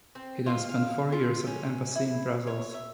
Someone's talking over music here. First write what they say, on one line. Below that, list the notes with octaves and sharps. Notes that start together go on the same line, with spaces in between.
He then spent four years at the embassy in Brussels.
C4
F4
F5
F4
C#4
E4
C#5
E5